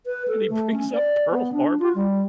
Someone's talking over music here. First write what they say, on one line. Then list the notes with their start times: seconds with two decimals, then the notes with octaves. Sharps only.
And he brings up Pearl Harbor,
0.06 B4
0.28 A4
0.50 A3
0.73 C#4
0.92 D5
1.31 B3
1.52 D4
1.79 F4
1.95 G3